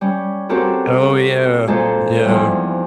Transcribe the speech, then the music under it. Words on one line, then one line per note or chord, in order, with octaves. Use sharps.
Oh, yeah, yeah.
G3 C#4
C4 C#4 F#4 G4 A4 A#4
A#2 G#3 A4 C5
E2 G#2 F3 G3